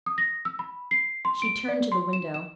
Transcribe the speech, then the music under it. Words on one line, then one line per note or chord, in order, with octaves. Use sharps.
She turned to the window.
D#6
A#6
E6
B5
C7
C6
D7
D5
C6
E7
E7